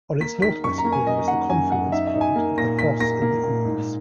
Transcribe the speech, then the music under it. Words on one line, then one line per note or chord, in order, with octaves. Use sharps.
On its north-west corner is the confluence point of the Foss and the Ouse.
A#3 B6
D#3 B6
F#2 C#6
A#5
A#3
G#5
F#2 D#5
D#3 F#5
F#2 G#5
F#2 F#5
D#4 E5
E5
D#4
G#5
A#3
A#2 A#6
A#2 B6
A#3 A#6
A#3
A#2
G#2